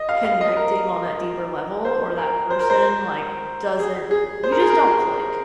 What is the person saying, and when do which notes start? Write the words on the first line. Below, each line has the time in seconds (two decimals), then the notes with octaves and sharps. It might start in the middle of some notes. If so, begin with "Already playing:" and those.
connecting on that deeper level or that person like, doesn't you just don't click.
Already playing: D#5
0.09 F5
0.25 F5
0.41 D#5
0.57 A#4
1.85 C5
2.18 A#4
2.50 C5
2.60 A#4
2.70 C5
3.79 G#4
4.11 G#4
4.43 C5
4.52 A#4
4.62 G#4
4.70 A#4